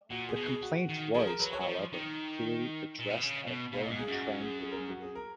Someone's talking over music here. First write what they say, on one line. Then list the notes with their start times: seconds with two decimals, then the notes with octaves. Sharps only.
The complaint was, however, clearly addressed at a growing trend within the game.
0.11 A#2 F#4
0.29 G#4
0.36 B2
0.46 G#4
0.63 F#4
0.89 D#3
1.14 F3 G#4
1.27 A#4
1.40 F#3 B4
1.53 C#5
1.60 F#3
1.67 F3
1.93 D#3
2.99 A#2
3.10 B2
3.22 C#3
3.47 B2
3.72 B2 F5
3.82 A#2
3.85 D#5
3.90 G#2
3.99 G#4
4.07 F#2 F#4
4.24 F#4
4.41 G#4
4.59 G#4
4.72 A#4
4.76 G#4
4.89 F#4
5.02 G#4
5.15 A#4